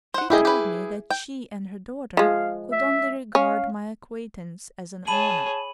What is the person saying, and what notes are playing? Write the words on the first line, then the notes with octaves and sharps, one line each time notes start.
She told me that she and her daughter could only regard my acquaintance as an honour.
C5 F#5
G3 E4 G4 G#4 D#5
G4 B4
G5
F3 G#3 F5
E5
C#4 F5
G#4 C#5 A5 B5 D#7 F#7